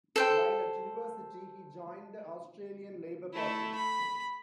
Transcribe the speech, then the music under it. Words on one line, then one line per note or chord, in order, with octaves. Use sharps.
While at university, he joined the Australian Labor Party.
A4 C5 G5
A3 E4
B5